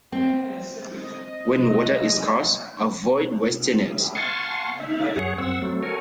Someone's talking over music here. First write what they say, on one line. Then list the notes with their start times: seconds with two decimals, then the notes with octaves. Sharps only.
When water is scarce, avoid wasting it.
0.12 C4
0.98 D#5
4.15 F5 F#5 G#5 A5 C6 C#6
4.80 E5
5.16 F#2 G#4 C#5 F#5
5.38 F#2 C4 F#5 E6
5.62 F#3 A3 C4
5.83 F#4 A4 A#4 C#5 G#5